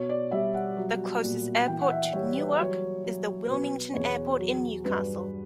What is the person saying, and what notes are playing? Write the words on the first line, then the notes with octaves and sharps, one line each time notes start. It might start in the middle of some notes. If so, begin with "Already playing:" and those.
The closest airport to Newark is the Wilmington Airport in New Castle.
Already playing: B2 C#5
D5
G3 E5
F#5
F#3
A#2
E3 G5
F#5
E5
G3 C#5
B4
F#3 C#5
F#3
B2 B4
E2 C#5
F#3
G2 B4